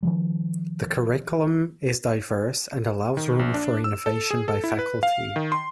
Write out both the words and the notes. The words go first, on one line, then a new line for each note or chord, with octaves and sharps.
The curriculum is diverse and allows room for innovation by faculty.
D#3 F3 G3
D#3
A#1
D4
E6
A4
G#4
A4
E4
B4
F5
D#3
C6